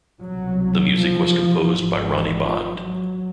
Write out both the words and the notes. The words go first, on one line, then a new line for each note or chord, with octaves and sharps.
The music was composed by Ronnie Bond.
C2 B2 F#3
F3
G#1 G#2
E3
F3
F#3